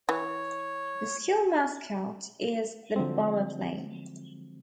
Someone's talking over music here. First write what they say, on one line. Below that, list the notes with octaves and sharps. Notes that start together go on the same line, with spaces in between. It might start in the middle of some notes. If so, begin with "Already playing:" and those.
The School mascot is The Bomber Plane.
E3 C#5
D3 F3 F#3 G#3 C4